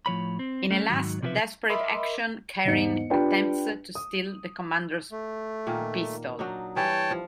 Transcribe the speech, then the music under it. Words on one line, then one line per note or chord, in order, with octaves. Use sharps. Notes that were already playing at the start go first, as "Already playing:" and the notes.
In a last desperate action Karin attempts to steal the commander's pistol.
A2 F3 C#5 B5
C4
A3 C#4
G#2 D#3 F#3
B1 C3 F3 G4 B4 E5
A#4 D#5 E5 B5 C6 D6
E1 G#2 D#4 C#7
D4 F4 G4 B4 G5
D#6
A3
A#2 D#3 A#3
F#3 D4 D#4
E3 G3 C#5 G5 A5
F3